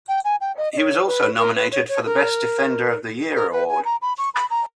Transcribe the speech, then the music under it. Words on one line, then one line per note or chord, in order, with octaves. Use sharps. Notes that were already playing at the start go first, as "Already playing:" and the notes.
He was also nominated for the best defender of the year award.
G5
G#5
G5
D#5
D#5
C#5
B4
A#4
B4
C#5
C#5
A#4
A#4
B4
G#5
A#5
B5
C#6
B5
A#5